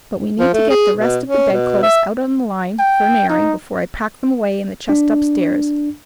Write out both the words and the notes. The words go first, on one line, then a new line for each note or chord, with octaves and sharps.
But we need to get the rest of the bed-clothes out on the line for an airing before I pack them away in the chest up-stairs.
F3
A3
G#4
B2
C#4
B2
E5
G5
D#4
D4